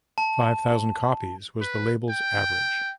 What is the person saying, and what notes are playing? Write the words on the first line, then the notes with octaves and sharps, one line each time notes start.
Five thousand copies was the label's average.
A5
B4
G5